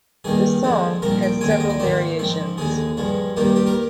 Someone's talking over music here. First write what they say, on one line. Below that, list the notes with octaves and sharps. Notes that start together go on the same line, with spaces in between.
The song has several variations.
G2 D#3 A#3 G#4
F2 D3 G#3 C4
C2 A#2 F3 C4 A#4
G5
D#2 D3 G#3 C4 G#5
G5
D#5
D5
G#2 D#3 A#3 C5
G#2 F3 C4
D#2 D3 G#3 G#4
G2 F3 G#3
G2 D#3 G3 A#3 G4
G4
A#4